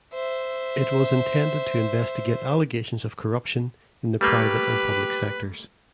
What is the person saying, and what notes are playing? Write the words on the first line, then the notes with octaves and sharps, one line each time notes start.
It was intended to investigate allegations of corruption in the private and public sectors.
C5 E5
G3 A3 A#3 G4 B4